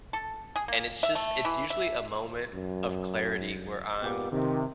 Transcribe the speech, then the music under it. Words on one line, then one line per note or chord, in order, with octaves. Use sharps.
and it's just it's usually a moment of clarity where I'm
A4
G#4
A#3
E5
A3
E3
E5
F#2
A#2 B3 G4
C3 D#3